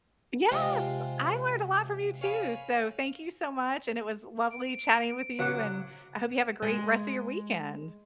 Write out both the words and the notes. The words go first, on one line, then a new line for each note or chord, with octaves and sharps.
Yes, I learned a lot from you too, so, thank you so much, and it was lovely chatting with you, and I hope you have a great rest of your weekend.
C3 G#3 C4 F4 G4
C#5 F5 G#5 B5
D7
C#3 F#3 F#5 D6
G#3